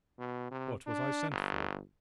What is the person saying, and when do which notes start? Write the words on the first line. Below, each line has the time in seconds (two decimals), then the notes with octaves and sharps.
"What was I sent for?"
0.19 B2
0.51 C3
0.87 D4
1.31 G1